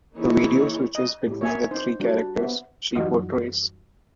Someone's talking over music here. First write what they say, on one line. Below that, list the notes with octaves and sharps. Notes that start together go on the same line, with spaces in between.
The video switches between the three characters she portrays.
E3 A#3 D#4 E4 G#4 C#5
D#5
A2 G4
A#4 C#5 E5 G#5
D#4 C5
G3 D4 F#4
B3 G4 C5 E5
F#2 E3 G3 D#4 F4 F#4